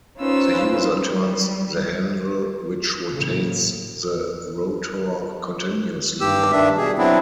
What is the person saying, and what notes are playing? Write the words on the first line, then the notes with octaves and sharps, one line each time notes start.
The user turns the handle, which rotates the rotor continuously.
C#4 D#4 F4 B4 C5 E6
G3
A#1 F#2 A2 C#3 E3
G2 G4 E6
G2 D#3 D4 E5
B2 G#4
F#3 B3 C4 D4 E4